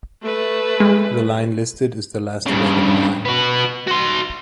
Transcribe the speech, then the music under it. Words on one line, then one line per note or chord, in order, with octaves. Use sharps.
The line listed is the last available line.
A3 B4
G#3
G2 C#3
B3 F#4
F#4 C6